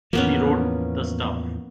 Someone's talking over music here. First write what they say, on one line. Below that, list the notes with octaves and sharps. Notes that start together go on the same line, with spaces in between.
She wrote the stuff.
E2 A2 F3 A#3 B3 C#4